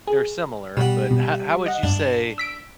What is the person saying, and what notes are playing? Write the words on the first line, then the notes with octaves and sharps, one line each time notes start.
They're similar, but ho how would you say
G#4
B2 G3 F#5
B2
D#5 F#5
G2 D4
E6 B6 D7